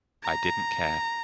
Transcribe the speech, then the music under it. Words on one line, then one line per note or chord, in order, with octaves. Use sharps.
I didn't care.
A#5